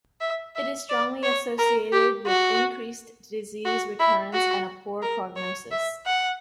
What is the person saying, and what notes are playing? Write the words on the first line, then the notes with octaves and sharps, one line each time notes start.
It is strongly associated with increased disease recurrence and a poor prognosis.
E5
E5
D5
C#5
A#4
G4
F#4
F#4
E4
F#4
A#4
C#5
E5
F#5